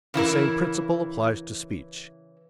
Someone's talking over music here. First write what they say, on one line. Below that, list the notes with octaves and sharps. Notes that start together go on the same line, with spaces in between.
The same principle applies to speech.
C#3 E3 E4 A#4